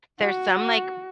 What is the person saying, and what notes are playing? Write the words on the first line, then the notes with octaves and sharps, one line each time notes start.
there's some, like,
F#4